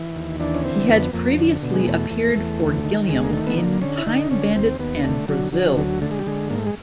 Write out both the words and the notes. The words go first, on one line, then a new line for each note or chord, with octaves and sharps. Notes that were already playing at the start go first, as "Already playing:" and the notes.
He had previously appeared for Gilliam in "Time Bandits" and "Brazil".
Already playing: E3
D#2
E3 D4
C#4
D3 C4
F2 B3
F2 A#3
D3
B2
G#3
E2 A3
E2
E2
D2
D#3
D2 G#3
A#3
D#3 A3
B3
D3 A#3
D3 C#4
E4
D3 D#4
D3 C#4
D#2 C4
D#2 B3
D3 A3
D3 F#3
D3 F#3
D2 F#3
D3 A3
G#3
G3
D3 G#3
G#2 A#3
A3
G#3